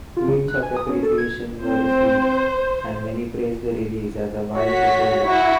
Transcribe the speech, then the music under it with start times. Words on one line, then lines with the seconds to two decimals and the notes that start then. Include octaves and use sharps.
Tweets of appreciation were received and many praised the release as a wise decision.
0.17 F4
0.28 C#3
0.48 F#6
0.63 G#5
0.77 D#6
0.89 C#4
1.03 A4
1.18 G#6
1.61 C4 C5
4.55 F#4 C#5 B6
5.27 E4 F#4